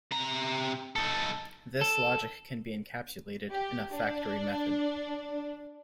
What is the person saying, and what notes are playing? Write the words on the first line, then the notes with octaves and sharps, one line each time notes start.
This logic can be encapsulated in a factory method.
C3 A#5
D#4 A4
A4
G4
D4